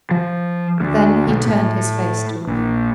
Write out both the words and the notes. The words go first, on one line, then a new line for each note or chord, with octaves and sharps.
Then he turned his face to me.
F3
D2
B1
A2
A#1